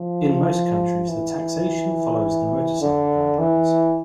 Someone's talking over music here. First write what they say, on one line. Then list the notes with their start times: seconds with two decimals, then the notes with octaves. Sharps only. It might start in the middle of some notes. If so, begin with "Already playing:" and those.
In most countries the taxation follows the motorcycle guidelines.
Already playing: F3
1.08 E3
2.81 D3
3.39 E3